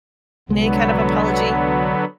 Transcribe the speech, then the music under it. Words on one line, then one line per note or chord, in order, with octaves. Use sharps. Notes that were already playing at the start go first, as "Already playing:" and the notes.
in any kind of apology?
C2 D3 F#3 G#3 B3